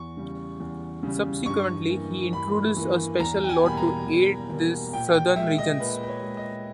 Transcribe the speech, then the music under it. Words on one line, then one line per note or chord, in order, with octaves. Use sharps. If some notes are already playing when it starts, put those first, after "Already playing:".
Subsequently he introduced a special law to aid these southern regions.
Already playing: E2 C#6
C#3 G3
E2
C#3 G3
G2 C#6
E3 A#3
G2 B5
E3 A#3
E2 A#5
G5
G#5
B2 G3 A#3 B5
A#5
E2
B2 G3 A#3
A#2 G5
G5
G#3 E5
D#5
A#2 B4
B4
C#5
G#3
D#5